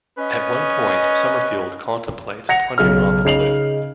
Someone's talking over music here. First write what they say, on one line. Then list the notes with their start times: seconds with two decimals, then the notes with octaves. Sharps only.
At one point Summerfield contemplates plunging off a cliff.
0.18 C#4 B4 D#5
2.49 F#5 A#6 C#7 F7
2.78 B1 C#3 F6
3.25 C#3 D#4 C7 F7 F#7